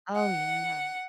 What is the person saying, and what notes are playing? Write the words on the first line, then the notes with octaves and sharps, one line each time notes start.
Oh, yeah.
F#5